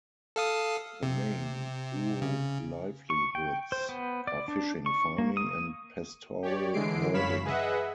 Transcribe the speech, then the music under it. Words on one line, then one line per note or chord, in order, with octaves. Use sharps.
The main Luo livelihoods are fishing, farming and pastoral herding.
A4 F5 D#6
C3
C#3
C#6
G5
C5
B3
D5
D4
C#6
A#3
D#6
G4 C#5 D5
D3 E3 G#3 C7 D7
F#2 C#5 F5 B5 B6 E7
G#4 B4 D#5 E5 F#5